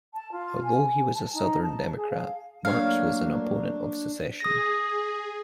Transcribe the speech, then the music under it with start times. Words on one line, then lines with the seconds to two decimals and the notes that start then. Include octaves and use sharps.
Although he was a Southern Democrat, Marks was an opponent of secession.
0.14 A5
0.32 F4
0.63 G#5
1.14 A5
1.33 D#4
1.62 A5
1.96 G#4
2.10 F5
2.65 F#3 A3 A#3 D4 C#5 F5
4.40 G#4 D#6 A#6